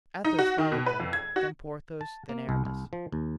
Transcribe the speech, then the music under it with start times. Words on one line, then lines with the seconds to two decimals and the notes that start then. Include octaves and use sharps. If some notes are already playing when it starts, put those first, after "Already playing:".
Athos followed them, then Porthos, then Aramis.
0.24 D#4
0.39 F#4
0.58 D#3
0.72 B2
0.86 B4
1.00 F2
1.13 G#6
1.36 F#4
2.01 A5
2.29 A#3
2.49 C2
2.65 C2
2.93 F3
3.12 D#2